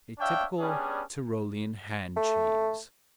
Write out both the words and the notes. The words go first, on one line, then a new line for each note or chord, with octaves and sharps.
A typical Tyrolean hand cheese.
D4 C#5 E5 F5 G5
G3 B3 C#4 D4 G#4
A3